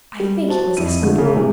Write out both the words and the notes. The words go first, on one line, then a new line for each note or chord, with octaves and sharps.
I think it was Escoublon.
G3
F#4 C5 A5
F2 E4 D#7
D3 F3 A3
C#3
A2 C3 E3 G#3